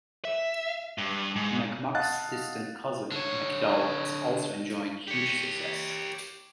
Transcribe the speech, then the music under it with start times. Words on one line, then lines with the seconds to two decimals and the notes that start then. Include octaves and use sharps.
McMug's distant cousin, McDull, is also enjoying huge success.
0.25 E5
0.98 G2
1.36 G#2
1.95 D#5 F5 F#5 A5 F#6 A6
3.12 D3 C#5
5.07 G4 C#5